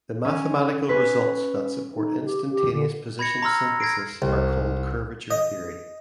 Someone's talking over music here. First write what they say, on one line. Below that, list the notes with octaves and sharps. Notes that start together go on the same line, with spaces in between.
The mathematical results that support instantaneous position synthesis are called curvature theory.
C#4
C#4 B4
D#4
G4
G4
D3
B5 G#6 A#6 C#7
A#5 C6 E6 F6
G#6 A#6 C7 D7
C2
D#5